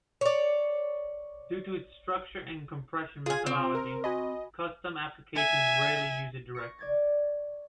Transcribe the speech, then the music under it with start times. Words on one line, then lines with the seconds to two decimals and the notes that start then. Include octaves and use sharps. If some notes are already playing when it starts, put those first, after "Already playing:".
Due to its structure and compression methodology, custom applications rarely use it directly.
0.21 C#5 D5
3.26 F4 G#4 G#5
3.46 C3 C4 D7
3.75 A#4
4.04 F#4 D#5 G#5 B5
5.36 E5 G#5
6.55 C#6 A#6 C#7
6.79 D5 G#6 A6